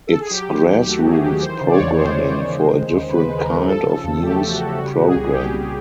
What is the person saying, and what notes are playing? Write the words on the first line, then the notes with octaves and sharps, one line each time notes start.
It's grassroots programming for a different kind of news program.
A4
G#4
F#3 G4
D#3
D#2
A3 F#4
F#3 G#4
D#3 G4
E3 C5
C#3
D5
C#5
E2
G#3 C5
E3
C5
C#3
G#3
D#3
D#2
D#2 B4
G#3
A#4
D#3
F3 A4
C#3
E2
A3 G4
F3
F#4
C#3
G3 F#4
G4
A#2 F#4
G#4
C2
C2 G4
G3